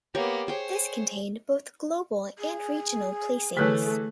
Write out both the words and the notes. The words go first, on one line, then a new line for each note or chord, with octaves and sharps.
This contained both global and regional placings.
A#3 B3 G4 C#5
G#4 C5 C#5 G5
G#4
D3 E3 A3 B4 C#5 F#6 B6